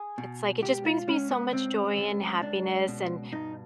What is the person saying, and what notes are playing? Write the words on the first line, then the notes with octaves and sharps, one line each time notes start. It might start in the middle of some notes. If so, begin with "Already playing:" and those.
it's, like, it just brings me so much joy and happiness. And,
Already playing: G#4
B2
C#2 G4
F4
C#2 C#4
B3
C#2 C4
C#2
C#2 D4
B2
G2 D#4